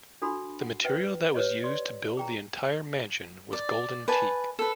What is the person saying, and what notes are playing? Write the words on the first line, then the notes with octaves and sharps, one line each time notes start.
The material that was used to build the entire mansion was golden teak.
D4 F#4 A4 B5 C6
F#5
B4 E5 F#5 G5
G4 B4 C#5 D#5
D5 C6
G#4 G5 A#5
D5
B4 G#5 A5
A4 B4